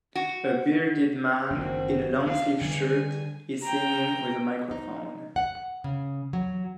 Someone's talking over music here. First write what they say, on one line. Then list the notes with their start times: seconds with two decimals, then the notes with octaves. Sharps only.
A bearded man in a longsleeve shirt is singing with a microphone.
0.15 F#4
1.50 F#1 D#3 C4 F#4
2.27 C#4 D4 F5
2.61 D3 G3 G#5
3.63 G5 A#5
4.71 D#4
5.36 F#5
5.84 C#3
6.33 F#3